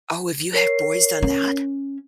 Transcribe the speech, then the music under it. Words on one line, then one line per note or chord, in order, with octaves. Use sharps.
Oh, have you had boys done that?
A#4 C#5 C7
C#4